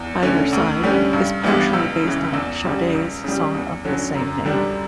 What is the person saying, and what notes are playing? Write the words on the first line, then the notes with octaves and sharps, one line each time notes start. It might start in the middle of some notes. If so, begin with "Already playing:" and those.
"By Your Side" is partially based on Sade's song of the same name.
Already playing: E2
D3 A3 C#4
D2
D3 G3 C#4
G2
E3 G3 B3 D4
C#2 E6
C#3 E3
E2 E6
C#3 G3
C#2
C#3 G3
E2
D3 F#3 C#4
F#2
D3 G3 D4